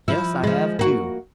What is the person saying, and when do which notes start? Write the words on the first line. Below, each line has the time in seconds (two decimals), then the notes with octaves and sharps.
Yes, I have, too!
0.08 F3 E4
0.43 F3 G#3
0.79 A#3 F#4